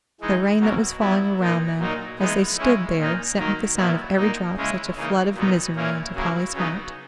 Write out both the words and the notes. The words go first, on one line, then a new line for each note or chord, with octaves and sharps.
The rain that was falling around them as they stood there sent with the sound of every drop such a flood of misery into Polly's heart!
E3 G#3 D#4
B2 F#3 A#3
F#3 B3 E4
A#2 A#3 D#4
A#2 F#3 A#3 D#4
E3 G#3 B3 D#4
C#3 G#3 C#4 E4
A#2 A#3 D#4
D#3 F#3 A#3 D#4
A#2 F#3 B3 E4
A#2 A#3 D#4
C#3 G#3 C#4 E4
C#3 E3 A#3 D#4
A#2 F#3 B3 D#4
A#2 A#3 C#4 E4
C#3 F#3 A#3 E4
C#3 F#3 B3 D#4